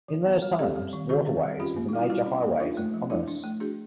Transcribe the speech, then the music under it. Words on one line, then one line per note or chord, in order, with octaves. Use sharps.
In those times, waterways were the major highways of commerce.
E3
B3
G3
C4 G4 A4
G3
D#3
D#3 F#4 G#4
C4
G3
C#4 F4 G4
A#3
D#4
G3 E4
F4
G3 E4 F#4
C#4
A#3
D4 D#4 F4
A3
F3
F3 D4 E4
D4
A3
D4 F#4 G#4